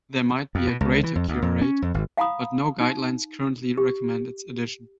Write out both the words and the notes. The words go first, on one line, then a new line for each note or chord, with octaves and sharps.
There might be a greater cure rate but no guidelines currently recommend its addition.
F2
B2
C#2
E3
F2
D2
F2
C#4
F2
G#1
F5 F#5 A#5 B5 D#6
D#4
G4